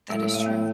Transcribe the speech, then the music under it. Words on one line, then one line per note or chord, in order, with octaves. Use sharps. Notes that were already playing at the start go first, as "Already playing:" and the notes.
That is true.
A2 G#3
G#3
A3
B3